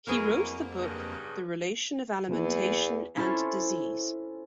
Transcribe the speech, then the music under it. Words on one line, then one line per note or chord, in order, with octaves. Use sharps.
He wrote the book "The Relation of Alimentation and Disease".
F2 E3 F#3 A#3 B3 C#4 G#4 A#4
G2 C#3
E2 F3 A#3 B3
C#4 E4 F4 A4 C5 C#5